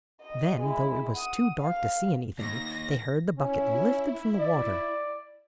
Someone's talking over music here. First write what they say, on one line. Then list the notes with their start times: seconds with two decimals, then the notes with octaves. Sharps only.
Then though it was too dark to see anything, they heard the bucket lifted from the water.
0.21 D#5
0.59 G#3 E4
1.13 F#5 D#6
1.58 F5
2.39 D#2 A#6
3.38 C#4 E4
4.40 D5